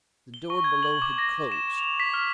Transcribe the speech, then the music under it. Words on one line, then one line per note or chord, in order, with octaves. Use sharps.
The door below had closed.
G7
C#6
G#6
F#7
D6
A#6
E7
F7
B6
F6